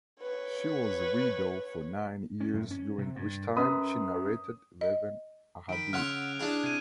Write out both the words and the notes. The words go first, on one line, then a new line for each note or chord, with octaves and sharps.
She was a widow for nine years, during which time she narrated eleven "ahadith".
B4 C#5
C#4
F#2
C#4
C3
G2
F#2 B4 B5 D#6
D#5
D#3 B5 D7
C#3 C#4 E5 F#5 C6 F6 F#6 F7
D7
D4 E4 G#4
C3 G#6 D#7